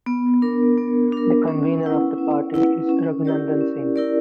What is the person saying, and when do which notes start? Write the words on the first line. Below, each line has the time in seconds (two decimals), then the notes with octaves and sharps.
The convenor of the party is Raghunandan Singh.
0.06 B3
0.42 D4 A#4
0.78 B3
1.12 D4 A#4
1.48 C#4
1.83 E4 B4 F#5
2.18 C#4
2.54 E4 B4 F#5
2.89 C#4
3.25 E4 G4 A#4 D5
3.61 C#4
3.96 E4 G4 A#4 D5